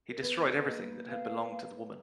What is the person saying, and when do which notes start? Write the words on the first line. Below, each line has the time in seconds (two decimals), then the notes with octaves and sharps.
He destroyed everything that had belonged to the woman.
0.11 A#4
0.22 B3 B4
0.65 A#3 D#5
1.09 B3 F5